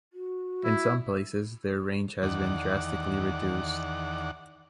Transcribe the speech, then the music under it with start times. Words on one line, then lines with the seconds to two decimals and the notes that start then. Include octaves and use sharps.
In some places their range has been drastically reduced.
0.13 F#4
0.64 E4
2.23 E2 D#3 D5 F#5